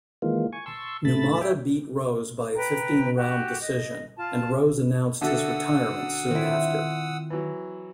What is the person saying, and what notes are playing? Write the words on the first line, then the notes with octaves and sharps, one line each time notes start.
Numata beat Rose by a fifteen-round decision, and Rose announced his retirement soon after.
D#3 E3 G#3 A#3 F4
G#5 C#6
A5 C6 C#6 E6
A2 A3 A5 B5 A6
C#5 E5 G5
B4 G5 A#5
F#4 G4
D#5
F4 A5
D3 F#4 A4 E5 F#5 D#6 E6
D#3 C4 E4 F4
E3 F#3